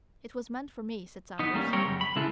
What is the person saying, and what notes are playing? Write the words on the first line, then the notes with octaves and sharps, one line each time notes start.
"It was meant for me," said Saunders.
B3 D#4
G3 A#3 C4 C#4
G3 A#3 C4 A#4 C#5 G5
F#2 C#3
B5
C#3 G#3 E4 A4 B4